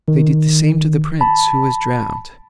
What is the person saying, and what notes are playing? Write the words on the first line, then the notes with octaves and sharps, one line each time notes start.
They did the same to the prince, who was drowned.
D#3
A5 B5